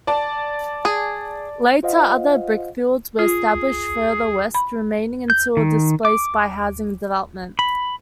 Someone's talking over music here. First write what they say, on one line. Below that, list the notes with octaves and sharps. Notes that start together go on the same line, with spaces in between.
Later, other brickfields were established further west, remaining until displaced by housing development.
D5 A5
G#4
F4 C5 D#5 F5 F#5
F4 G#4
B5
G6
D#3
D6
B5